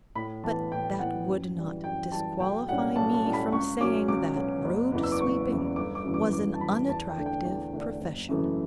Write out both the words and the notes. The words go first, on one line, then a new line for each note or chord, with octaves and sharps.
But that would not disqualify me from saying that road- sweeping was an unattractive profession.
A2 B5
E3 B3 A5
A2 G5
E3 B3 F#5
F#2
E3 G3
F#2 G5
E3 G3 A5
B1 G5
A2 G3 C#4 F#5
B1 A5
A5
A2 G3 C#4
B5
C#2 C#6
B2 F#3 C#4 D6
C#2 D6
B2 F#3 C#4
F#1
E2 C#3 E3 B3
E6
D6
F#1 C#6
E2 C#3 E3 B3
G1 D6
D6
F#2 C#3 E3 B3
D6
G1 D6
A5
F#2 C#3 E3 B3 B5
E2 A5
G5
D3 A3 D4
G5
E2
D3 A3 D4
F#1
F#2 C#3 E3 A3